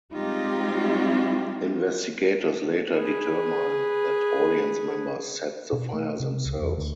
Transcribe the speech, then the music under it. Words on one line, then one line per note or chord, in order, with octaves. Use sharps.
Investigators later determine that audience members set the fire themselves.
G3 G#3 C4 D#4 F4 G4
G#4 B4
B2
A3
C3
C#2
E2
D2